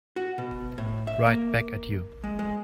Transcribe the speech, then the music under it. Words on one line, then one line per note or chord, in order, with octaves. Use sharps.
Right back at you.
F#4
B2
A2
E5
A#3
G#3
G#3